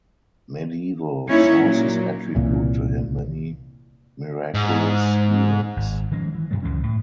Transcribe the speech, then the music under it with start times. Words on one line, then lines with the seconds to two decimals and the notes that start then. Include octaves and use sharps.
Medieval sources attribute to him many miraculous healings.
1.28 A#3 C#4 D#4 E4 C#5
1.62 A#2 F#3 A#3
2.35 C2 A#2 E3
4.55 G#2
5.77 G#1
6.11 D#3 F3 G#3 C#4
6.35 E3
6.51 G2 B2 F#3 A3
6.62 C#2 F#2 E3 C#4
6.83 A2